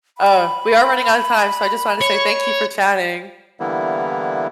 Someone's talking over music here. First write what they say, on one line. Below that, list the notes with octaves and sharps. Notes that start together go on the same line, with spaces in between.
Uh, we are running outta time, so I just wanted to say thank you for chatting.
B5
C#5
D3 E3 G3 A#3 B3 E4